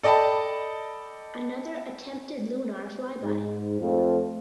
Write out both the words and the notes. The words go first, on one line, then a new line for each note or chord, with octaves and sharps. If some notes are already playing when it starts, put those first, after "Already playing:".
Another attempted Lunar flyby.
A4 D5 D#5 G5 A5 B5
G#2
F2 A3 C4 F4